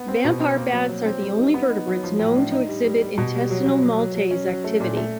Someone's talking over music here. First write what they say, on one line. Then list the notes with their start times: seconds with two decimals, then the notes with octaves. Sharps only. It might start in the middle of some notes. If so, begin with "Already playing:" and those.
Vampire bats are the only vertebrates known to not exhibit intestinal maltase activity.
Already playing: B3
0.08 C4
0.24 B2
0.40 C4
0.57 A#3
0.73 F#3
0.89 F#3
1.06 C4
1.22 G3
1.38 D#4
1.54 B3
1.70 D#4
1.88 F#3
2.03 F3
2.19 A2
2.36 D4
2.52 D#4
2.68 G3
2.85 G3
3.01 G3
3.18 B2
3.34 G3
3.50 F#3
3.66 F#3
3.82 F#3
3.99 F#3
4.15 F#3
4.31 C#4
4.48 F#3
4.64 A3
4.80 A#2
4.97 A3